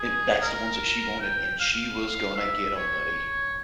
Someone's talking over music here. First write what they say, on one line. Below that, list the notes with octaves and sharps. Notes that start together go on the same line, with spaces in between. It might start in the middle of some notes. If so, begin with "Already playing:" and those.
and that's the ones that she wanted, and she was gonna get 'em, buddy.
Already playing: G#4
A#4
G5
F5
E5
C#5